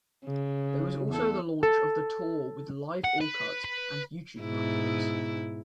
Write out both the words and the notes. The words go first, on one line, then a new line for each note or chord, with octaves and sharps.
There was also the launch of the tour with Live Orkut and YouTube platforms.
C#3
E2 A4
A4
F#5
B4
B4
G#2 B2 E4